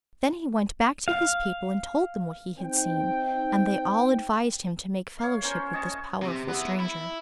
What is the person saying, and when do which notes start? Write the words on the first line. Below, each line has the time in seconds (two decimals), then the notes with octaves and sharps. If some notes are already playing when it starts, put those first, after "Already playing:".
Then he went back to his people and told them what he had seen, and they all advised him to make fellowship with this powerful stranger.
1.08 F5
2.59 C4 D#4 G5
5.19 C#5 F5
5.42 C#4 A#4 C5 C#5
5.73 C#5 D#5 A5 C#6
6.22 C3
6.50 B3 E4
6.80 E4